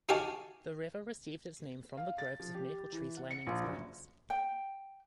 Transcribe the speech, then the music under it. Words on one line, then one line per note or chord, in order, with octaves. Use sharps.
The river received its name from the groves of maple trees lining its banks.
D#4 F#4 G4 F5 G#5 A5
F5
A6
F3
G4
E3
F#5
C#7
A#1
F#1
G5